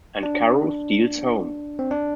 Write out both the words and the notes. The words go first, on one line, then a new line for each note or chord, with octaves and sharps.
"And Carew steals home".
D4
C4
D4